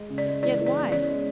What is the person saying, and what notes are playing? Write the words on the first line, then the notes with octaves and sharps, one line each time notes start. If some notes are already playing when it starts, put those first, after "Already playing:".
Yet why?
Already playing: G#3
C#3
D5
G#3
E3 D5
E3
D5
B3
C#4 D5
G#3